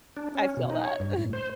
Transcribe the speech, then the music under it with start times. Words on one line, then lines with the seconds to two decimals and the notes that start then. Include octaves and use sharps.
I feel that.
0.17 D4
0.35 C#4
0.57 B2
0.70 D#4
0.84 C#5
1.00 G2
1.18 A2
1.33 C5